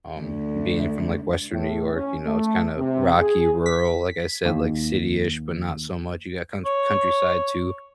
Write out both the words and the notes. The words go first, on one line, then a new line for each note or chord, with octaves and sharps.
Um, being from, like, Western New York, you know, it's kinda rocky, rural like I said, like, city-ish, but not so much. You got country countryside too.
D2
A2
C#4
A3
C3
G#4
B6
D#2
C#5